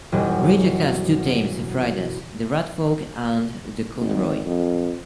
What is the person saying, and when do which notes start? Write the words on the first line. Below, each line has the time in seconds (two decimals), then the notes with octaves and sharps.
Regia has two teams of riders: "The Radfolc" and "The Conroi".
0.12 E1 F#2 B2 G3 G4
4.00 G#1
4.45 F2